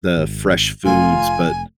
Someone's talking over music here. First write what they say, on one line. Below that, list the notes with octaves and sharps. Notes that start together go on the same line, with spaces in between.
the fresh foods, but
G#1
F1 A3 F4 G#5